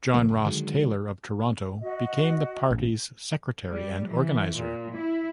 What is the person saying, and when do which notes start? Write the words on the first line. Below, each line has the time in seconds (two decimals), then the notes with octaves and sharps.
John Ross Taylor of Toronto became the party's secretary and organizer.
0.14 C2 C#3 F3 A#3
0.29 F#1
0.45 D3 D#3 F#3 G#3
1.81 F#4 D#5
2.71 A1
3.71 G3
4.09 E3
4.58 A#2
4.96 E4